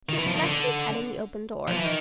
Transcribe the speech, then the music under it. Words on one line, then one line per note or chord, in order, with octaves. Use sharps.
He stuck his head in the open door.
D#3
E3
F3
D#3
D3
F3
E3
D#3